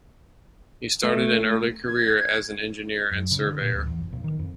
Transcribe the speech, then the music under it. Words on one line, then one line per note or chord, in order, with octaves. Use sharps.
He started an early career as an engineer and surveyor.
A3
G#6
F#2
C#3
D3
A#2
D1
E2
F1
B1
D#3
F2